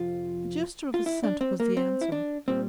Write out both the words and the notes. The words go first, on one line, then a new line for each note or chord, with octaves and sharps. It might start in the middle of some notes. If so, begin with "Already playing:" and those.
A gesture of assent was the answer.
Already playing: F2 C3 F3 F4
F4
E4
D4
C4
A#3
C4
E4
D4
A#2 G3 C4